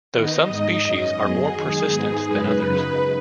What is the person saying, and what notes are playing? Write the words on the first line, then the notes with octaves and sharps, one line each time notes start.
Though some species are more persistent than others.
D#3 B3 D#4 D#5
G#2 G#3 D#4
F#2 F#3 C#4 D#5
F#2 F#3 B3 G#4
D#3 G#3 D#4
G#2 G#3 B3 D#4
F#2 C#3 G#3 D#4 B4
F#2 C#3 F#3 D#4